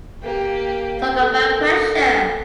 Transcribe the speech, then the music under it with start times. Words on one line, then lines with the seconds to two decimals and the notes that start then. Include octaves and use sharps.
Talk about pressure.
0.23 A#3 G4
1.13 A4 A#4